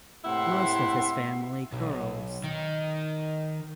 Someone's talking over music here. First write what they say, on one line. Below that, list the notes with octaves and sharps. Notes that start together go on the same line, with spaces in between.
Most of his family curls.
A2 C3 A#3 E4 F#5 C6
B1
D#3